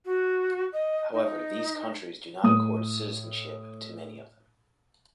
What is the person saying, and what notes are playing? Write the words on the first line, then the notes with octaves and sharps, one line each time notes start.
However these countries do not accord citizenship to many of them.
F#4
D#5
D#4
A2 D#6